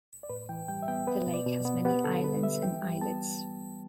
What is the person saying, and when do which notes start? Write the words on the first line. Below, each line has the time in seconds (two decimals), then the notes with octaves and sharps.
The lake has many islands and islets.
0.23 D5
0.29 A2 B4
0.49 E3 G5
0.68 G3 G5
0.83 E5
0.88 B3 G5
1.07 B3 B4
1.27 B2
1.34 D5
1.46 B2
1.65 B3
1.85 B3 G4
2.04 D3 A4
2.24 D3 B4
2.43 G3 E5
2.63 E3 G5
2.82 G3
3.01 B3 A5